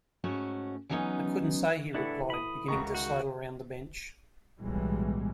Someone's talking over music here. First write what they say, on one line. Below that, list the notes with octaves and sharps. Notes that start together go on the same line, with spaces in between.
"I couldn't say," he replied, beginning to sidle round the bench.
G#2 A3 C#4 F#4
E3 F#3 G3 B3 C#4 D#4
A2 E3 D4 E4 A4 F#5
B5 D#6
C#2 D#3 A3 F#4 A#5 C#6
F#4 G5
B1 A2 E3 G3 G#3